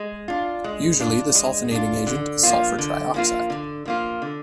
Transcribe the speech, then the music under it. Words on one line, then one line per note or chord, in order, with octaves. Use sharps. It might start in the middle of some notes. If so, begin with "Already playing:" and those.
Usually the sulfonating agent is sulfur trioxide.
Already playing: G#3
D4 F4
G#3
D4 F4
G#3
D4 F4
D3
F3 A#3 F4
D3
F3 A#3 F4
D3
F3 A#3 F4
D3